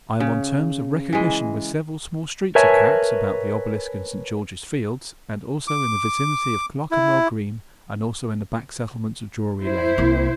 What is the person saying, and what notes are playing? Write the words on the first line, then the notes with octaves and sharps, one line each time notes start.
I am on terms of recognition with several small streets of cats, about the Obelisk in Saint George's Fields, and also in the vicinity of Clerkenwell- green, and also in the back settlements of Drury-lane.
C#3
E3 G#3
A#4 B4 C#5 E5 G#5 A5
D6
E4
E4 C5
C2 A#3